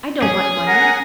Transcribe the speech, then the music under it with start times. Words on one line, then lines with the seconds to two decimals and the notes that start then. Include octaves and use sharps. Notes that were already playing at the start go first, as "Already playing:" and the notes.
I don't want money.
0.22 C#4 G#4
0.67 A#4 F#5 G#5